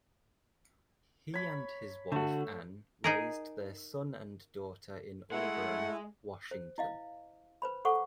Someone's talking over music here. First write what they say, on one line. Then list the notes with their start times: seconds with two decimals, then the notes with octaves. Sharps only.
He and his wife Ann raised their son and daughter in Auburn, Washington.
1.34 C#5 B5
2.12 D3 A3 F#4
3.04 D#4 G#4 A#4
5.32 G#3 A3 E4 F#5
6.51 C5
6.78 E4 D#5 F5
7.62 B4 C5 B5
7.85 A4 C5 F#5 C#6 D6